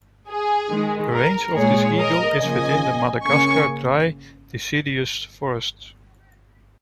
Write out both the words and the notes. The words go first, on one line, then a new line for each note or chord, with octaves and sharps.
The range of this eagle is within the Madagascar dry deciduous forests.
G#4
D#3 G#3
A#4
A#2 G#3 G#4 C#5
A#4 D#5
C#3 F3 A#3 D#5 G#5
C#3 A#3 G#5 C#6